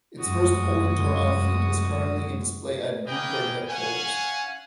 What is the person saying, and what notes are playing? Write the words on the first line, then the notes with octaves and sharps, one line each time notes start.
Its first Holden Torana fleet is currently in display at Blue Bird headquarters.
F1 F#2 G#3 F#4 D#6
A#3 G#4 B4 D#5 G5
C#4 F5 F#5 G#5